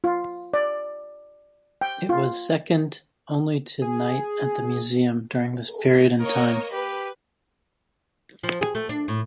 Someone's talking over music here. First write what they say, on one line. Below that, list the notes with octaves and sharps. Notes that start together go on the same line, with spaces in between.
It was second only to "Night at the Museum" during this period in time.
F4
D5
G5
F4
G#4
A#3 A#4 C#5 D#5
G4 B4
F3
G#4
A3
D4
A2